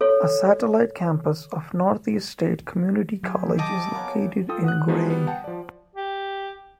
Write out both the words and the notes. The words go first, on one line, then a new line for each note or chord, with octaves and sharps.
A Satellite campus of Northeast State Community College is located in Gray.
A4 C#5
F#3 E4 G4 G#4
D#5 G5 A5 D6
A#3 B3 C#4
F4 A4 G5 D#6
F#5 D#6 F#6
F3 G#3 B3 D#4 F#4 B4
G3 B3
F#5 G5 A5
F3 D5
G4